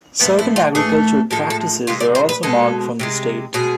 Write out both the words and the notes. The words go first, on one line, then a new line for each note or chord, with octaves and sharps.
Certain agricultural practices are also marked from this date.
A2 F3 A3 B3
E4
F4
A2 E3 A3 G#4
A2 F3 G#3 A4
A4
C3 E3 G#3 F4
D5
C5
B4
B2 G#3 A4
C3 F3 G#3
B2 G#3 G#4